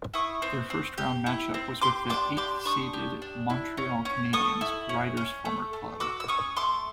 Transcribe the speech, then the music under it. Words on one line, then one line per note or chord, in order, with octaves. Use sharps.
Their first round matchup was with the eighth seeded Montreal Canadiens, Ryder's former club.
E4 C#6 D#6
C4
C4
G4
E4
C4
G4 C6 D6
D4 C6 D6
G4 C6 D6
D4 C#6 D#6
G4
D4
E4
C#4
C#4
A4 C#6 D#6
E4
C#4
C#4
A3
A3
F#4 D6 E6
E6
C#4 C#6 D#6
A3 C6 D6